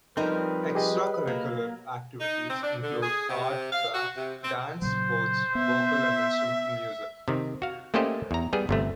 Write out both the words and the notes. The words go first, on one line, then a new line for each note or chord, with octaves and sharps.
Extracurricular activities include art, craft, dance, sports, vocal and instrumental music.
F3 G3 C4 D#4 A#4 B4
G4 G#4 D#5
F#3 A#3
D#4
C4
D4
D3
G#4
C3
F5
F#4
C3
C4
A#2 C#3 F#3 C5
B3 E5
C3 D#3
F#4 F5
A3 A#3 C#4 G4 C5 D#5
E2 A#5
G3 B3 G#4
G1 C3 A3